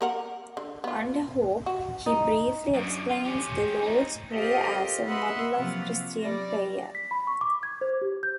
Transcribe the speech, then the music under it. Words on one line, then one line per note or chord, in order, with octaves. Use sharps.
Under Hope, he briefly explains the Lord's Prayer as a model of Christian prayer.
A#3 A#4 F#5
D3
B3 F4
F#4
D#4
F#2 D3
F4
C#4 G4
C4 D#4
F4 G4 A4 A#4 C5 D#5
B4 D#5 E5 F#5 C6
C3 F3 F#3 A#3 F4 F#5
F#3 G3 D5 A#6
B6
B5
C#6
D6
G#6
C5
G4
G6